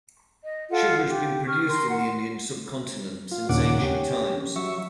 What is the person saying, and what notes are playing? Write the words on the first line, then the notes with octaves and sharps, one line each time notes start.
Sugar has been produced in the Indian subcontinent since ancient times.
D#5
F4 A4 F#5
G4
C#6 F6
A#4 C6
F#5
F4
D#2 A#2 C#3 F#5 D6
C#4 G4
F#3 E5 C#6